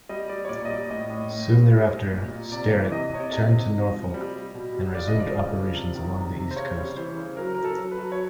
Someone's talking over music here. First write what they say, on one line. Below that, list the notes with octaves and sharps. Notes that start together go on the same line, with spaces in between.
Soon thereafter, "Sterett" returned to Norfolk and resumed operations along the east coast.
G3 D#5
G3 D5
C#5
A#2 D5
D#5
G3 D5
A2 D#5
A2
A2
G3
G3
G3
A#2
A#2
C3 D5
E3
C3 D#5
C3 C#5
D5
C3 D#5
C3
C3
F3
G3
G3
B2
G3
C#3 D5
D#5
F3
D5
C#3
F3
C3
D#3
C3
C3
C5
C#3 C#5
G3
E3 C5
C#3
F#3 A#4
F#3 A#4
A4
F#3
B4
F#3
C#5